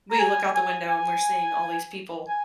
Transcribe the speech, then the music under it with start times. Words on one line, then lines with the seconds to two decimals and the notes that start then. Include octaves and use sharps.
we look out the window and we're seeing all these people
0.11 A#5
0.19 G#5
0.55 G#5
0.89 G#5
2.29 G#5